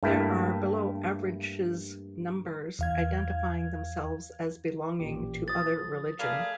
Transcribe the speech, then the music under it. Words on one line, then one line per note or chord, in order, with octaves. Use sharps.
There are below averages numbers identifying themselves as belonging to other religion.
G2 A3 A#3 E4
E2 F5 G#6
A1 A#2 G4
F3 D#6 A6
A3 G#4 A#4 D5 F5 B5